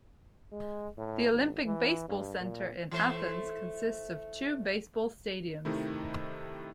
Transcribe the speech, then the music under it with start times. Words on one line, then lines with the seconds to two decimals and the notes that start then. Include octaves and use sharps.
The Olympic Baseball Centre in Athens consists of two Baseball stadiums.
0.52 G#3
0.98 A2
1.31 G#1
1.65 E3
2.08 G2
2.40 A#2
2.91 E3 A3 C5
5.65 C3 D#3 A3 D#4 E4